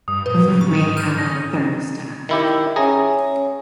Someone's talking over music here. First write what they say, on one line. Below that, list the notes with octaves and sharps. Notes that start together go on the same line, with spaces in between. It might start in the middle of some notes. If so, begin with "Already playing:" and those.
Some may have a thermostat.
G2 D#6
A#2 B4
C#3
G#2 C#6
F6 G6 D#7
C#4 A#6
D#3 E4 G4
C#4 G#4 C#5 E5 A#5